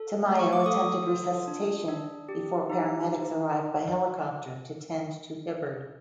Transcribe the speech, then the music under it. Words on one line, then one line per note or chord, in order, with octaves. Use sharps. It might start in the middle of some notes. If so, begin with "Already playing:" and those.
Tamayo attempted resuscitation before paramedics arrived by helicopter to tend to Hibberd.
Already playing: A4
A3
C#6
D6
A4 D#6
F4
D4
D4
G4
D#4